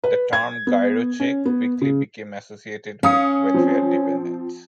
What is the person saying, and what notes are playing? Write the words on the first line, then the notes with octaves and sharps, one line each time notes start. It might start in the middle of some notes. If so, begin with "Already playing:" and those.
The term Girocheque quickly became associated with welfare dependence.
B4
G#6
B3
C#4
B3
C#3
C#4 F5 D#6 C#7
F3 C4